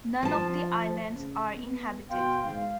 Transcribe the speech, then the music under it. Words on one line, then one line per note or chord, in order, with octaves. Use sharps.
None of the islands are inhabited.
F3 A5
C#3
B3
B2 F5 G5 C6
G#2 F5